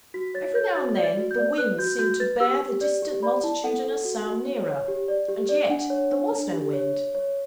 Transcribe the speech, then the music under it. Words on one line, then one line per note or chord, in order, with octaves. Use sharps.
Every now and then, the wind seemed to bear the distant multitudinous sound nearer; and yet there was no wind!
F#4 B6
C#5 A6
C#5 G6
F#4 A6
D5
A6
F#4
G6
D5
B4 F#6
F#4 G6
F#4 G6
B4 A6
G4 E6
G4
D5
G4
D5 B5
E4 A5
A4 F#5
A4 F#5
F#4
F#4
C#5
C#5
G4
D5
G4
D5
D4 F#5
C#5
D4
D4
G4
C#5
C#5
C#5